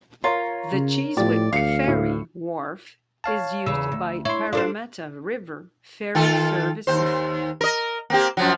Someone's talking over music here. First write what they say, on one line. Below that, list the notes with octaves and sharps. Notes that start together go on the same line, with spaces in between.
The Chiswick ferry wharf is used by Parramatta River ferry services.
F4 A#4 C#5 A#5
C#3
A2 F3 G4 D5
D2 F5 C7 C#7
A2
C#5 F5 A5
E2 C#3 E6
D2
E4 C#5 C6
D4 F4 A4 C5
D#3 F4 A4
D#2 C5
A#4 D#5
A#3 C4 G4
F#2 F3 F#3